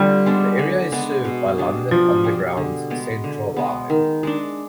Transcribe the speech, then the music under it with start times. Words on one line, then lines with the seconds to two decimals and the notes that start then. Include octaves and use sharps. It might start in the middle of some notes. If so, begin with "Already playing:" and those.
The area is served by London Underground's Central Line.
Already playing: D3 G3 C4 F4
0.26 G#3 B3 D4
0.59 D3
0.92 G#3 B3 D4
1.25 B2
1.58 G3 D4 G#4
1.91 B2 F3
2.24 G3 D4 G#4
2.57 D3
2.90 G#3 B3
3.24 D3
3.57 G#3 B3
3.90 D#3
4.23 G#3 D4